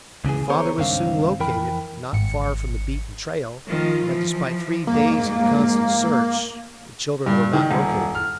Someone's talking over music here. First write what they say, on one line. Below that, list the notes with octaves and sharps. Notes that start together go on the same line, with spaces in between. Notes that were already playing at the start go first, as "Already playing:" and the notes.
The father was soon located, not far from the beaten trail, but despite three days of constant search, the children were not located.
C#2 C#3 E3 G#4
B3 G#4 A#4 C5 C#5
C#2 G2 D#3 C4 D4 F5
F2 E3 A#4 G5 B5
G#1 C#7
D#3 F3 F4
E3 F3
F2 G#2 A#3
G2
D#3
D#1
F6